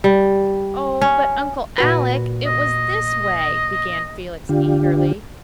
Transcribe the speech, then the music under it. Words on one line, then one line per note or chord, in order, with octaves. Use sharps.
"Oh, but Uncle Alec, it was this way," began Felix eagerly.
G3
C#4
A#2 F#4 B4
D#5
D3 D4 F4 G4